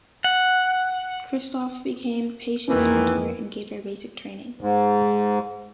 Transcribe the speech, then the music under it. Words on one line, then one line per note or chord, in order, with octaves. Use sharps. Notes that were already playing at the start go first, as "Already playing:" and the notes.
Kristof became Patience's mentor and gave her basic training.
F#5
G#1 F2 D#3 E3 A#3
G#2